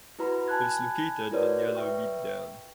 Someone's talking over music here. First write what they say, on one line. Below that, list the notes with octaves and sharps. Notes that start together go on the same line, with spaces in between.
It is located on Yellowmead Down.
E4 F#4 B4 A#5 B5
G#5 A5 B5 F#6 G#6
E4 F#4 A#4 B4 C#5 D5
B4 E5 G5 C#6